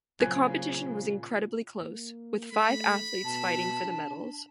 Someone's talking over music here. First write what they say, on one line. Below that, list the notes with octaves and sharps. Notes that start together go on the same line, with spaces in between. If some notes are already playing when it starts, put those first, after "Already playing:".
The competition was incredibly close, with five athletes fighting for the medals.
A#2 C#3 F#3 C5 G#5 F#6 G#6
A#3
A3 B5
B2 A5
D4